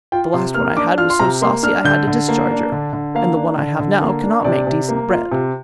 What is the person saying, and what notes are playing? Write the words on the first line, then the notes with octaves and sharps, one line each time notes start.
The last one I had was so saucy I had to discharge her, and the one I have now cannot make decent bread.
F4 G5
C3 C6
A#3 F6
D4 D6
F4 F6
C6
C3 A#5
A#3 C6
D4 F6
D3 G6
D3
A#3
D4
D3
D3
A#3 F5
D4
D3
D3
A#3
D4
C3 D5
C3
A#3
F4
C3